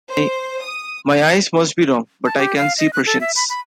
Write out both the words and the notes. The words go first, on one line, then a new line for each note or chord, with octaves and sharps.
My eyes must be wrong, but I can see Prussians.
C5
D#6
A5
G4
F5
D#5
F#6
A4
E5
B5
B5